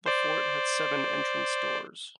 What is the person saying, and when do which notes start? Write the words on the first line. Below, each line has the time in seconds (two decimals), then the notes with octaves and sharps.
The fort had seven entrance doors.
0.06 C5 D5